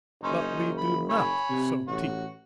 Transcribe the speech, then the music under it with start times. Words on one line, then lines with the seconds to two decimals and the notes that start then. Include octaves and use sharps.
But we do not so teach.
0.24 F#1 C#4 D#4 C5
0.77 B5
1.09 C#5 G#5 B5
1.50 C3
1.88 A1 F#4